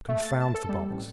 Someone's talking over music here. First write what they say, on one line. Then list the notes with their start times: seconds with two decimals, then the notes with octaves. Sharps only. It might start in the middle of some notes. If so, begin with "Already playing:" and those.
Confound the box!
0.09 A3
0.22 A6
0.41 A5
0.54 A4
0.69 G3
0.90 A1